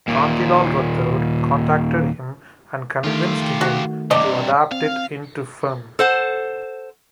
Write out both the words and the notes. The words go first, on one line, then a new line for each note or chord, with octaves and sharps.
Kantilal Rathod contacted him and convinced him to adapt it into film.
D#2 A#2
D#3 A3 F4 G4
F#4
G2 C3 D5 D#5
C4 F5
A4 C5 F#5